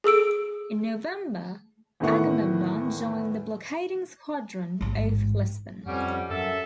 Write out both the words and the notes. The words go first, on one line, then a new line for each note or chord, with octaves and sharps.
In November, "Agamemnon" joined the blockading squadron off Lisbon.
G#4 A4 E6 D7
E2 A2 D#3 A3 F#5 C#6
A1 G#2
F2 G3 C#4 F#5
F#2 A4 E5